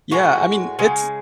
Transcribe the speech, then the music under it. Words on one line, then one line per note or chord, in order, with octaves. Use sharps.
Yeah, I mean, it's
A2 G#3 F#4
C#3 G#3